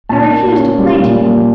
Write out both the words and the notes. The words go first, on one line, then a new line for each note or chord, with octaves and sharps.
I refuse to play to you!
A#2 A5
A#3
C#4
G3
A#2
A#3